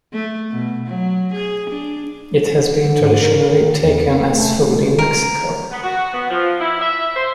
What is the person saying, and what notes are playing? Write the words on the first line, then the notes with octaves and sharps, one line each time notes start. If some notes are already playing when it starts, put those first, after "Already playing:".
It has been traditionally taken as food in Mexico.
A3
B2
F#3
G#4
D4
D3
G#2
A#4
D#3
E2
C4
A3
A#4
B3
F#4
B3
F3
E4
E5
C5